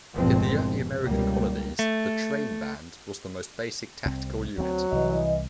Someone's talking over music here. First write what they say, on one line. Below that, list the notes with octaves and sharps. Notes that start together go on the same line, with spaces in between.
In the early American colonies the trainband was the most basic tactical unit.
G1 E2 A#2 F3 G#3 C4
B2
C#2 G3 A#3
A3
C2 C4
D2 F#3 C4
C2 E3 D#5